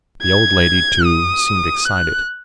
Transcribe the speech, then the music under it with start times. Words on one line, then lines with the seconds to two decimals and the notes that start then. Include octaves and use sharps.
The old lady, too, seemed excited.
0.23 G#6
1.04 D#6
1.85 F#6